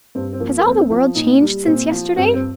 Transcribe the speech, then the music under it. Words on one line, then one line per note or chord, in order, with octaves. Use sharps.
Has all the world changed since yesterday?
G2 C4
C4
F3 A#3
A#3
F2 C4
F3
A#2 D#4
G3
A#2 C4
F3
G2 C4
C4